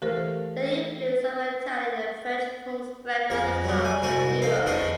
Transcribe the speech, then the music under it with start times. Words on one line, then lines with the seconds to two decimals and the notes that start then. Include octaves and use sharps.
The influence of the Italian and French forms spread to other parts of Europe.
0.02 E3 A3 G4 A#4 C5 F5
3.30 F2 G#3 A#5
3.64 F#3 G3
3.85 G#5
4.02 C2 G#2 C4 F#4 G#5
4.42 C4 D#4 A4 F5
4.66 E2 A3 D4 C5 D#5 C#6